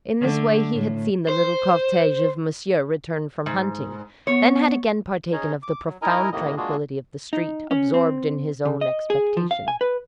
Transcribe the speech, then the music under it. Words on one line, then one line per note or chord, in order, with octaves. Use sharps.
In this way he had seen the little cortege of Monsieur return from hunting, then had again partaken of the profound tranquillity of the street, absorbed in his own expectations.
D3 A3
A2
C5
G#2
B3 C#5
C#4 D#4 G#4 C#5 D#5
D6
F#3
D#4 E4 A#4 D#5 G#5 A#5
A2 C3 D#3 A#3 D#5
G#3 A#3 D4 F4 F#4 G#4
D#4
C#4
C4
C#3
D#5
G#4
F3
F5
G#5
B4